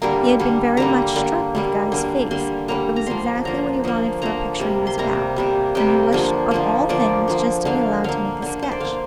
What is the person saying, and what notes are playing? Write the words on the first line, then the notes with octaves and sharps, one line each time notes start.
He had been very much struck with Guy's face: it was exactly what he wanted for a picture he was about, and he wished of all things just to be allowed to make a sketch.'
D3 G3 A#3 A#4
D3 G3 A#3
D3 G3 A#3 A#5
D3 G3 A#3
D3 G3 A#3
D3 G3 A#3
D3 G3 A#3 C6
D3 G3 A#3 A#5
A#5
D3 F3 A#3 C6
D3 F3 A#3 A#5
D3 F3 A#3
D3 F3 A#3 A#5
C3 G3 A#3
C6
C3 G3 A#3 A#5
C3 G3 A#3
C3 G3 A#3 G5
D3 F3 A#3
D3 F3 A#3
D3 F3 A#3 D5
D3 F3 A#3
D3 A#3 F5
D3 A#3 F5
D3 A#3
C5
D5
D3 A#3 F5